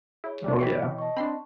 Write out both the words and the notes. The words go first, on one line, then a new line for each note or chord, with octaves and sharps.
Oh, yeah.
E4 G#4 C#5
G3 A3 D4
B2 E3 C#5 D#5 G5 B5
D#5 A5 C#6
C4 D4 B5 C6